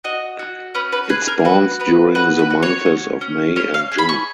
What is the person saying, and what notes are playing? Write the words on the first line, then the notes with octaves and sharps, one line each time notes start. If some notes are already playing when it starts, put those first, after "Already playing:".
It spawns during the months of May and June.
F#4 D#5
F#4
C#4 B4
B4
G#4 B4
A#4
F#4 B4
B3 B4
F#4 B4
B4
F#4
C#5
C#4
C#4
C#4 C#5
F5
G#4
B5
C#6